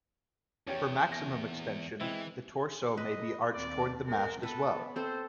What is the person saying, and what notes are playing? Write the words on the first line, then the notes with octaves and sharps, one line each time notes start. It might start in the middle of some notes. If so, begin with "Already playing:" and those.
For maximum extension, the torso may be arched toward the mast as well.
E2 C#4 G4 C#5
A#6
E3 G#3 C4 E4
B4 D#5
D#2 C4 D5
G#3 A#4
B3 A4 B4
C4 A4 C5